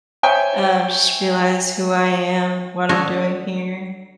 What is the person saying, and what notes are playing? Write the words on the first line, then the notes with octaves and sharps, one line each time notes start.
uh, just realize who I am and what I'm doing here.
C5 C#5 E5 G5 G#5
D4 F#4 A4 C#5 D#5